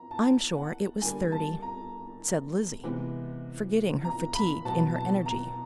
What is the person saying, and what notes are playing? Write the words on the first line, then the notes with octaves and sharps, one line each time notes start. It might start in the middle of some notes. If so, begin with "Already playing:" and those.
"I'm sure it was thirty," said Lizzie, forgetting her fatigue in her energy.
Already playing: F3 A#5
A5
F#5
D3 G3 A#3 G#5
A5
A#5
C3 E3 G#3 B3
A#5
B5
B2 F#3 B3 A5
A5
A#5